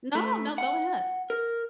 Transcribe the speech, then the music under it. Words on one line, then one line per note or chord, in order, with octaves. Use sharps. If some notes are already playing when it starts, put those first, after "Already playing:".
No, no, go ahead.
A3
F#5
A#4